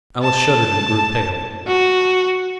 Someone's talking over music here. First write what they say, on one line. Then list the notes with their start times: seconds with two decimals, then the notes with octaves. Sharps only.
Alice shuddered and grew pale.
0.23 A5
1.67 F#4